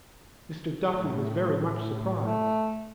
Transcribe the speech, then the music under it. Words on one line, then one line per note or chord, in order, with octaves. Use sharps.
Mr. Duffy was very much surprised.
A2
A3